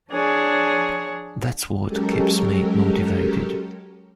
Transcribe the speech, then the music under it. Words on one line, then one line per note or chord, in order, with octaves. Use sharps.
That's what keeps me motivated.
F3 D4 G#4 C#5
F#3 G#3 C#4 G4 A4 A#4